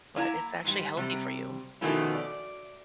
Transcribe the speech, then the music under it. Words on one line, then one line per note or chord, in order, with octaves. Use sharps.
but it's actually healthy for you.
A#3 E4 G#5 A#5
G#2 G3
C3 G3
B2 D#3 F3 A3 C#4 E4
D5